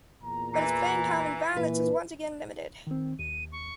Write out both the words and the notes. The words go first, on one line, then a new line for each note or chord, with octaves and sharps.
But his playing time in Valence is once again limited.
E2 A#2 A#5
E3
A#2 E3 E4 B4
D#3 C4
D#2 D#7
C#6